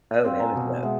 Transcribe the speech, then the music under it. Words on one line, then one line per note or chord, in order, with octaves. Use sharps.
Oh, heavens no.
C4 F5 G5
G#5 A#5
B2
G#3 E5 F#5